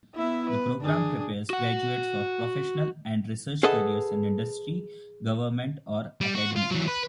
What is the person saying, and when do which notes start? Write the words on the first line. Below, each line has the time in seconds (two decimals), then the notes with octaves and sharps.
The program prepares graduates for professional and research careers in industry, government or academe.
0.15 B3 E4 E5
0.49 B4
0.81 G2 D4 G#4
1.50 F#4 F#5
3.63 G#4 A4 B4 D#5 F#5 A5
6.21 G3
6.35 F#4
6.56 F4
6.71 E3 F#3
6.88 B4